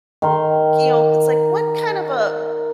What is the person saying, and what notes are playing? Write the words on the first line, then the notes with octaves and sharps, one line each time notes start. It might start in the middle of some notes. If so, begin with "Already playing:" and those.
you know, it's like, what kind of a
D#3 A#4 C6